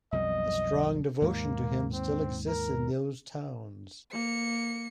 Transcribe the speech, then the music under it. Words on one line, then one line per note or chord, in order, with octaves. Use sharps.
A strong devotion to him still exists in those towns.
B1 F2 G3 D#5
D#2 G#2 A#3
C4
A#4
A#3 C#7